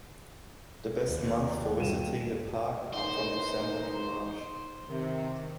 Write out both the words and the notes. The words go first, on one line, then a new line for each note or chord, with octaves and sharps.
The best months for visiting the park are from December to March.
D#2
G1 D#7 E7
F#2 E3 D#4 C5
C3 D#3